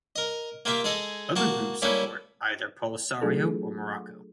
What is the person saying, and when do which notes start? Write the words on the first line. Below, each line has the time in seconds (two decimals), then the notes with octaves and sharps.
Other groups support either Polisario or Morocco.
0.16 A#4 D#5
0.65 A#3 F4 G4 E5
0.84 G#3 G#4 A4 D#5
1.36 A#3 F#4 A5
1.82 G3 A#3 C#4 E4 A4
3.21 F#3 A3 D4 F4 G#4 A4